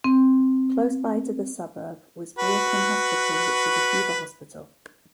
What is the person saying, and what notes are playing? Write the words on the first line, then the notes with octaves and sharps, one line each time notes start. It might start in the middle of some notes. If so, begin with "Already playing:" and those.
Close by to the suburb, was "Brierton Hospital" which was a fever hospital.
C4
F#4 B4